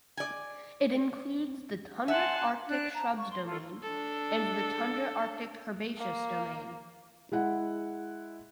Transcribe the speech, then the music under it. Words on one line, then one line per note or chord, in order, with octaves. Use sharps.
It includes the tundra arctic shrubs domain and the tundra arctic herbaceous domain.
D5 G#5
E5 F#5 G#5 A5 C6
D4 F#6
A5 A#5
C#6
C6
F4 A4
D4 A4
A#3
G#3 E4 F#5